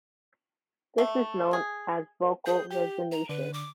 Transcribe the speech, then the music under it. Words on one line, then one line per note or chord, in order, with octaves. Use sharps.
This is known as vocal resonation.
A3
G#4
G#4 G6
G4 G5
A#5
D3 B4
D6